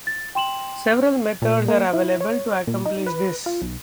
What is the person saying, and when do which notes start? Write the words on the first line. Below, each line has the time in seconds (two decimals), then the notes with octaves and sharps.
Several methods are available to accomplish this.
0.07 A6
0.35 G5 C6 E7 F#7
1.42 A#2
1.68 A#3
1.93 E4
2.21 C#5
2.67 A#2
2.86 D#4
3.06 B4
3.46 F4
3.61 B1